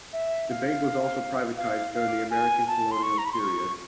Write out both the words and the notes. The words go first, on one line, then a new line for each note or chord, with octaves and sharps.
The bank was also privatized during the American colonial period.
E5
F5
F5
F5
G#5
A5
C6
C#6
A#5
B5
C6
C#6